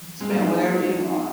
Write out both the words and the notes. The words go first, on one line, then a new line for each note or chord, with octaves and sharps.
Spend whatever you want.
G#3 C4
A#3
G#3 D#4
D#4
F4
D#4
D4
D#4